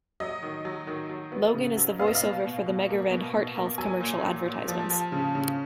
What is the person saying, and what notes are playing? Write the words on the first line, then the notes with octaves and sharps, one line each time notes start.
Logan is the voice-over for the MegaRed heart health commercial advertisements.
F#3 D#5
D#3
F#3
D#3
F#3
B3
C#3
F#3
B3 F5
D#5
F5
B2
B2
B2
A#3
B2
B2
A#3
F#3 G#5
A#2
F#3
A#2
F3
F3
C#3
C#3